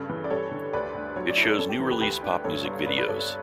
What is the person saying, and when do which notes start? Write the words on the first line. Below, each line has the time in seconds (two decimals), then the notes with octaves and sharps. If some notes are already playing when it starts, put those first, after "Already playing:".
It shows new release pop music videos.
Already playing: G2 C#3 A4
0.09 E3
0.24 D5
0.30 G3 A4 C#5
0.52 D3
0.73 D2 B4 D5
0.95 D2
1.16 F#3 C#5
1.29 D5
1.38 E4
1.43 A4 C#5
1.59 C#4 A4
1.69 G4
1.80 E3
1.91 G4 B4
2.01 D2 G4 B4
2.23 D4
2.44 G2 A4 C#5
2.65 G1
2.86 G2 B4 D5
2.97 B4 D5
3.08 G2 A4 C#5